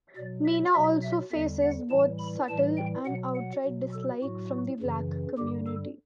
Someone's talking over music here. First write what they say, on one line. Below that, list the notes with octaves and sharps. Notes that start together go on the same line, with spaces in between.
Mina also faces both subtle and outright dislike from the Black community.
B2 F#3 D5
E5
B2 F#3 E5
E5
E2 D3 G3 E5
F#5
A2 E3 G3 A5
B5
A2 E3 G3 A5
G5
B2 F#3 F#5
F#5
B2 F#3
A4
A2 F#3 F#4
F#2 C#3 E3
G2 D3 G3 G4
A4